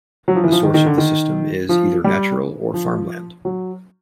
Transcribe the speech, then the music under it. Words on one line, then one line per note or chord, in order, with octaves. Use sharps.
The source of the system is either natural or farmland.
F#3
F3
E3
F3
D#3
D#3
D3
D#3
F3
G3
F3
F#3